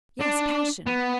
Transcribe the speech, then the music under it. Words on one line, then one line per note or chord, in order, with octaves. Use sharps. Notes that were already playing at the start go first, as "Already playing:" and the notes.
Yes, passion.
D4
B3